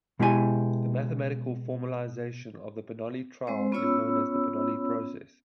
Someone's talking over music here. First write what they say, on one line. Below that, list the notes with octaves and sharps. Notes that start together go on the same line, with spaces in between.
The mathematical formalisation of the Bernoulli trial is known as the Bernoulli process.
B2 G#3 E4 G4 B4 G#5
G#3 C4 C5
B3 C#4 F4 C#5 B5 E6